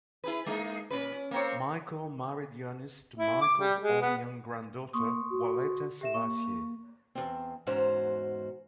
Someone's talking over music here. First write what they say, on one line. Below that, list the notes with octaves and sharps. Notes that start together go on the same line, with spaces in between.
Mikael married Yohannes to Mikael's own young granddaughter, Waletta Selassie.
E4 G#4 B4
G#3 A#3 D#4
A#2 C#4 B4
C#4
A#3 C4 C#5
E4
D6
G3
G#3
B3
A#3 C6 C#6 D#6
F#4
G4 E5 E7
A#3 C#6
E2 C4
E2 G#2 C#4 F#4 C5 A#5